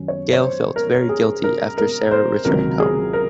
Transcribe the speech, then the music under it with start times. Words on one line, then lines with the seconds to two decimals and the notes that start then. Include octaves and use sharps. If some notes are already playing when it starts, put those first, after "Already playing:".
Gail felt very guilty after Sarah returned home.
Already playing: F#2 D#3 F#3 C#4
0.08 C#5
0.33 C#5
0.41 C5
0.76 A#4
1.09 G#4
1.44 A#4
1.78 A#4
2.11 C5
2.45 C#2 C3 D#3 F#3 A#4
2.80 G#4
3.13 A#4